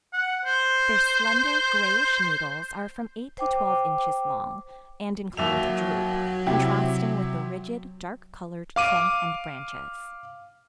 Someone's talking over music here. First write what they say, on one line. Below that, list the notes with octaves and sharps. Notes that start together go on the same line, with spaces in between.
Their slender, grayish needles are from eight to twelve inches long, and inclined to droop, contrasting with the rigid, dark-colored trunk and branches.
F#5
C5
C5 G5 D6
D#2 F#3 E5 F7
C3 E4 G4
F5 D6 D#7